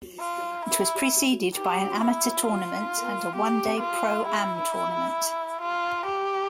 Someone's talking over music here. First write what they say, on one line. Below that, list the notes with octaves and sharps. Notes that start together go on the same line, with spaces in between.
It was preceded by an amateur tournament and a one-day pro-am tournament.
F4
E4
G4
E4
F4
G4
F4
E4
F4
G4